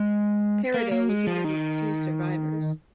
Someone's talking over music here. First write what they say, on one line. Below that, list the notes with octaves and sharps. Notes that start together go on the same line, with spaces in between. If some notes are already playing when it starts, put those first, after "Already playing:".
Peredo was one of the few survivors.
Already playing: G#3
A#3
A#3
G#3
F3
D#3